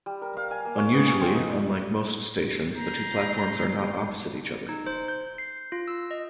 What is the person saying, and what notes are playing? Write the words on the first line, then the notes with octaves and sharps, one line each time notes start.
Unusually, unlike most stations, the two platforms are not opposite each other.
G3
A#4
F5
G#5
A#3
C#5
B3
G#5
C4
D#4
A#5 G6 C7
D#4
C5
G6
C7
F4
E6
D#5